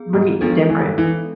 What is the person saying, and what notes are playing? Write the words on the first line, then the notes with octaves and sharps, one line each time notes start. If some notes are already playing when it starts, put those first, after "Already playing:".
look at y different.
Already playing: B3 G#4
G#2
F3 G#3 B3 D4 A4
E3
E3